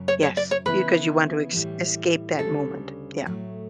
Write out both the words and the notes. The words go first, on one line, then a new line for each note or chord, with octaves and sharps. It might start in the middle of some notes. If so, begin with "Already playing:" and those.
Yes. You 'cause you want to es escape that moment. Yeah.
Already playing: F#2 C#3 F#3
C#5
C#5
D5
C#5
C#3 E3 B3 E4 B4
A2 E3 G3
D2 C#3 G3 D4 A4
A2 F#3 A3